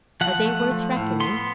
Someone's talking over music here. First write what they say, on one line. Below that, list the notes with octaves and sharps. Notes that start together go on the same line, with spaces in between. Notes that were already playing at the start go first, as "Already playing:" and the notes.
Are they worth reckoning?
F3 F#5
A3
F3
A2
B3 C6